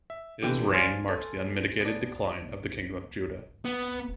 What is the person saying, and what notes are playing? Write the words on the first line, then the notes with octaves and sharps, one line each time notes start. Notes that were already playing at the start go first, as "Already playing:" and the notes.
His reign marks the unmitigated decline of the kingdom of Judah.
E5
D3 E3 G4 G5
F3 D5 G#5 C6 F6
A4
B3 D4
B3